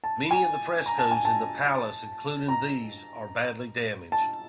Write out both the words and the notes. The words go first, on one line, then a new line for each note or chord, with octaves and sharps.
Many of the frescoes in the Palace, including these, are badly damaged.
A5
G#5
A#5
A5
G#5
A5
A#5
A5